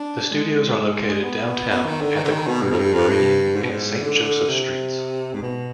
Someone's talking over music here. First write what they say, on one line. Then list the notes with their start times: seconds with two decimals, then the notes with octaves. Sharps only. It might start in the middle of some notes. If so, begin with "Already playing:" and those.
The studios are located downtown at the corner of Meridian and Saint Joseph Streets.
Already playing: D4
0.31 G#3
1.23 B3
1.70 B3
1.85 D#3
2.01 D3
2.16 D#3
2.24 D3
2.31 D#3
2.47 B2
2.62 G2
2.70 F2
2.78 G2
2.93 F2
3.08 G2
3.56 G#2
3.63 B2
3.69 G#2
4.02 D3
4.49 C3
5.34 G#2
5.42 B2